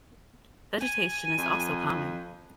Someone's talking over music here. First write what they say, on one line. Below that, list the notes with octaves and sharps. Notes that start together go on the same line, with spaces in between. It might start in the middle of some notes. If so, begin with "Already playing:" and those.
Vegetation is also common.
G#5
F2